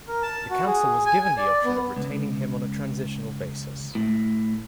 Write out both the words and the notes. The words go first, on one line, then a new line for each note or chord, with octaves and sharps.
The council was given the option of retaining him on a transitional basis.
A#4
A5
F#4
G#4
G#5
G#5
D5
B3
C#2
A2